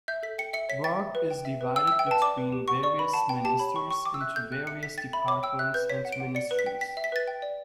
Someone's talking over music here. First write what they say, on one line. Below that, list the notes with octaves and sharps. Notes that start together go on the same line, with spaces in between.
Work is divided between various ministers into various departments and ministries.
E5 G6
A4 B6
G5 C#7
E5 C#7
C#5 B6
G5 A6
E5
B4
G5
E5
B4
G5 E6
E6
E5
G5
B4 A5
D5 D6
B4
G4
F#5 C#6
D5 C#6
B4 B5
F#5 A5
B4 G5
G4 A5
C#5 B5
G5 C#6
G5 C#6
G5 D6
E6
E5 F#6
A4 G6
G5 F#6
E5 C#7
A4 B6
G5 A6
E5 B5
C#5 D6
G5 E6
E5 F#6
B4 G6
C#5 B6
F#5
D7
F#5
D5 C#7
B4
B6
G5
G5 B6
E5
B6
B4 A6
G5
D5